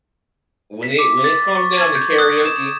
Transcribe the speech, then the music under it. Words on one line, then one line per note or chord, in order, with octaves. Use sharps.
when it when it comes down to karaoke
B6
D6
A6
C#6
G#6
G6
D#6
E7